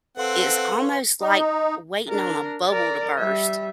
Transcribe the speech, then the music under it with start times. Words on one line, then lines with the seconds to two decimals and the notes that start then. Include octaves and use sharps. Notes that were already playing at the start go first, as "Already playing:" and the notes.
it's almost like waiting on a bubble to burst,
0.17 C4 A4 B4 F5 F#5 C6
1.21 D#4
2.08 D4 A#4
2.69 A#4 D5
3.18 G3 E5